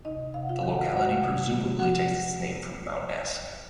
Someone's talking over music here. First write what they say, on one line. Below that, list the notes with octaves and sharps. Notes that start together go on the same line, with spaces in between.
The locality presumably takes its name from Mount Esk.
C3 D#4 D#5
C3 F5
F#5
F4 F5
D#3
F#5
F5
D#3 F#4 F#5
C3
C3
F3 F#4 F#5